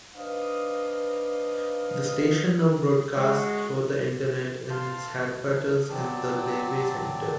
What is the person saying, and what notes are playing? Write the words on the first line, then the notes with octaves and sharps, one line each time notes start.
The station now broadcasts through the Internet in its headquarters in the Leavey Center.
D4 D#4 B4 C5 D#5 F5
G#3 F#4
F5 A5 C6
A3
F#3 C4 D5 A5